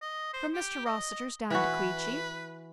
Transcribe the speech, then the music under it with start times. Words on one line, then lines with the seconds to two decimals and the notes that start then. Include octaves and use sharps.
"From Mr. Rossitur's down to Queechy."
0.01 D#5
0.33 C5
0.54 G4
0.85 D#5
1.50 E3 F#4 B4